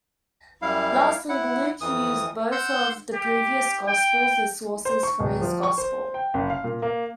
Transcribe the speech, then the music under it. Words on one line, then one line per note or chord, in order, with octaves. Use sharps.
Lastly, Luke used both of the previous gospels as sources for his Gospel.
F#2 G3 E4 F5
E4 F#5
F2 E3 D#6
F#5 C6 E6 G6
G4
G5
C5
C#6
D1
F3
C#6
C5
G5
F#1
F5
A#2
A#3